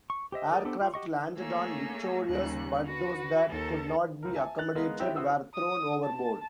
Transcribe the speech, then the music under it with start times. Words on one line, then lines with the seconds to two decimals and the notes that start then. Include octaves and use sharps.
Aircraft landed on "Victorious" but those that could not be accommodated were thrown overboard.
0.10 C#6
0.32 G4 C5 D#5 E5
0.51 G4 G#4 A#4 D5
0.65 B3 D4 G4 A4 C5
0.81 F4
0.94 F#4 G4 D#5 C#6
1.37 A3 A#3 G#4 C#5 E6
2.26 D#2 C#3 G3 F#6
2.83 F#4 B4
3.51 D#2 A4 A#4 A6
4.23 C#2 A#4
4.35 E5 G#5 A5
4.58 F#6 A6 F7
4.75 G#3 B3 A#4 D#5 F5
4.99 C4 E4 G4 D#5 E5
5.16 E4 F#4 C5 F#5 D#6 E6
5.55 D#6
6.04 A5